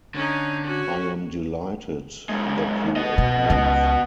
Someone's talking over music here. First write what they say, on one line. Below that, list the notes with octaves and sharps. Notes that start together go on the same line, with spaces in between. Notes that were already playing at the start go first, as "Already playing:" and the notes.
I am delighted that you approve.
D3 C#4 D#4
C#4 F#4
B1 G#3
B3 D#5
B2
C#2